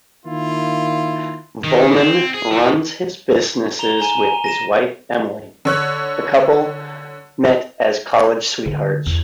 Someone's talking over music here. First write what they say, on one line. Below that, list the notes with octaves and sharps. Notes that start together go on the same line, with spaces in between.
Volman runs his businesses with his wife Emily; the couple met as college sweethearts.
D#3 A#3 E4 F4
D#3
C4
G#4
E3
A#5 F7 G7
G#5 A#5 G7
A#6 D#7 E7
D3 C#5 F#6
D3 G#3
E2